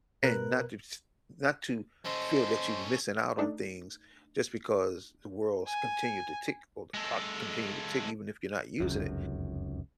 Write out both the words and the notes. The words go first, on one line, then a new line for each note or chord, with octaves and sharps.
and not to s not to feel that you're missing out on things just because the world's continued to tick or the clock continued to tick even if you're not using it.
B2 A#4 B4 F#6
C#4 A4 C5 D#5
A3 D4 D#4
G#5
G#3 A4
F1 C#2 F#2